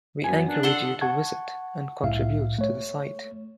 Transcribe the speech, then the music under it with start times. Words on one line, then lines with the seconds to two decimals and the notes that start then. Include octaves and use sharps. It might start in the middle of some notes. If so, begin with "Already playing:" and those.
We encourage you to visit and contribute to the site.
0.24 F#2 B3 G#5
0.48 D4
0.63 A4 F#5 C6
0.79 D2 D#3
1.01 F#5 A5 C#6 G#6
2.03 C2 A2 E5 F5
2.59 A3 C#5